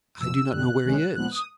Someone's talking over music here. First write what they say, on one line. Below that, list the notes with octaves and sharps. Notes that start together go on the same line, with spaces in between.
"I do not know where he is."
F2 C3 F3 E6
F#2 D3 G3 F#6
D2 C3 D#3 G#3 C#4
A#2 F3 G#3 B3 F#6
D#6